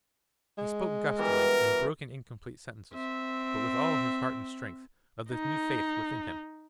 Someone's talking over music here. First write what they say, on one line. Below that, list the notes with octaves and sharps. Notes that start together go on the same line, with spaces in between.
He spoke gustily, in broken incomplete sentences, but with all his heart and strength, of this new faith within him.
G#3
B2 E3 G3 A#4
C4 E5
D#4